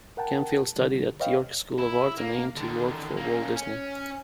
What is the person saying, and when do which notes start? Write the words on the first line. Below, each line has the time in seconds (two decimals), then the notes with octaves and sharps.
Camfield studied at York School of Art and aimed to work for Walt Disney.
0.17 A#4 F#5 G5 A5
0.76 D3 G3
1.20 B4 C#5 D#5 F5 G5
1.78 E4
2.18 A#3
2.56 D3 D#3
3.16 A#3 C#4
3.55 C#4